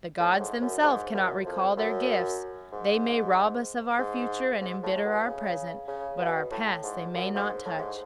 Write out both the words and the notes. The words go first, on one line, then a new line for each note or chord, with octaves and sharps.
"The gods themselves cannot recall their gifts." They may rob us of our future and embitter our present, but our past they may not touch.
A2
G#2
F#2
G#2
F#2
F2
F#2
G#2
G#2
G#2
A2
A2
B2
C#3
C#3
B2
A2
G#2
F#2
G#2
A2
G#2